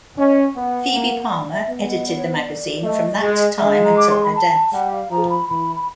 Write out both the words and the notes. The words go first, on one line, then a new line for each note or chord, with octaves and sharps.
Phoebe Palmer edited the magazine from that time until her death.
C#4 D#5
B3 F#5
A#3
D5
E5
B3
D5
D#5
D5
C#5
C5
D#5
D5
A3 D#5
G#3
G#3 E5
F5
A#5
D6
C6
B5
A5
G3 F#5
F5
F3 A#5
B5
E3 B5
B5